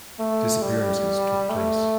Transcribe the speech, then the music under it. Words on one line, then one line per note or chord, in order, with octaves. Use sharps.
Disappearances took place.
A3
G3
A3